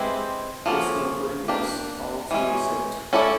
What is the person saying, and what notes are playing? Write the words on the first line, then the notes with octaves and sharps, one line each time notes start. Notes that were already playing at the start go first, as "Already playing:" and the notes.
Its numbering was also reset.
Already playing: G#3 C4 E4 G4 B4
F3 A#3 C#4 F#4 A4
A#3 D4 G4
E3 G#3 C#4
C#4 E4 A4 D5